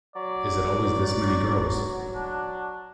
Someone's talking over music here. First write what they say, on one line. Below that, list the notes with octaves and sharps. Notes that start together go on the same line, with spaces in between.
Is it always this many girls?
F#3 D5
D4